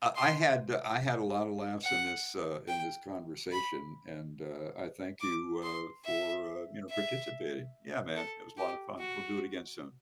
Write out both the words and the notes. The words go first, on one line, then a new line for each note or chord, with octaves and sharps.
I I had eh, I had a lotta laughs in this uh, in this conversation, and, uh, I thank you, uh, for, uh, you know, participating. Yeah, man. It was a lotta fun, we'll do it again soon.
C6
F#5
G5
B5
D6
C6
E5
E5
A4
G4
F#4